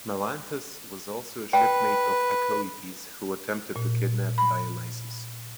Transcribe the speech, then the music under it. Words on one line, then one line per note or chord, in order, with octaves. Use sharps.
Melanthus was also a shipmate of Acoetes who attempted to kidnap Dionysus.
B4 G5
A#2
B5